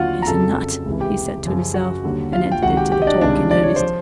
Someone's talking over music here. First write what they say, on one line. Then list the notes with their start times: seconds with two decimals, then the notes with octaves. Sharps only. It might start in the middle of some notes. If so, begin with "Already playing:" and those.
"He's a nut!" he said to himself, and entered into the talk in earnest.
Already playing: D#2 D3 F#3 F4 F#4 F5 F#5
0.22 A#5
0.27 F2 C#3 F#3 A4 A5
0.86 C#2 C3 E3
1.00 G4 G5
1.45 F#2 C#3 F3
1.74 F#4 F#5
2.04 D#2 D3 G3
2.33 F4 F5
2.52 G5
2.62 C#2 C3 D#3 F#4 F#5
2.77 G4 G5
2.92 G4 G5
3.02 D#5
3.07 D4 D5
3.21 C#2 C3 D#3 G3 D4 D5
3.51 D5
3.63 C#5
3.76 F3 C5